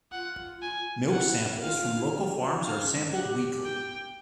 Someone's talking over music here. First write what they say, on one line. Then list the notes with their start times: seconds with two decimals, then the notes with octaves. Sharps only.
Milk samples from local farms are sampled weekly.
0.12 F4 F#5
0.62 G#5
1.05 D#4
1.12 E4 F#5
1.63 F4 F5
1.80 F4
1.97 E4
2.13 F4
2.39 F#4
2.64 D#4 F5
2.81 C#4
2.97 D4
3.14 G4 F#5
3.65 G5